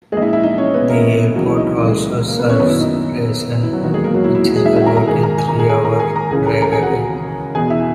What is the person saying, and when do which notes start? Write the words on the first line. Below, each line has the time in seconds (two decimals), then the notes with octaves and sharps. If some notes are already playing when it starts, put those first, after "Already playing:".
The airport also serves Rason, which is about a three-hour drive away.
0.12 A#2 G#3 G#4
0.17 A#1 D#5
0.22 E4 E5
0.33 E4 E5
0.43 D#4 D#5
0.58 C#4 C#5
0.74 B3 B4
0.89 A#3 A#4
1.36 C#2 C#3 E3 F#3 F#4
1.46 E4
1.57 D#4
1.67 E4
1.77 E4
1.88 G#3 G#4
2.29 A#3 A#4
2.39 B3 B4
2.50 C#4 C#5
2.59 G#1 F#2 D#3 B3 B4
2.70 E4
2.80 D#4
3.63 E4
3.73 F#3 F#4
3.83 E1 D#2 D#3 F#3 F#4
3.94 G#3 G#4
4.04 A#3 A#4
4.14 F#3 F#4
4.24 E4
4.35 E4
4.45 F#3 F#4
4.56 G#3 G#4
4.66 E4 E5
4.76 E4 E5
4.86 A#4 A#5
4.97 A#4 A#5
5.07 G#1 G#2 D#3 G#4 G#5
5.23 A#4 A#5
5.38 G#4 G#5
5.48 A#4 A#5
5.59 G#4 G#5
5.69 G#4 G#5
5.85 A#4 A#5
6.00 G#4 G#5
6.16 A#4 A#5
6.31 C#2 C#3 E3 G#4 G#5
6.46 A#4 A#5
6.62 A#4 A#5
6.72 G#4 G#5
6.82 F#4 F#5
7.55 E1 E2 B2 G#4 G#5
7.70 E4 E5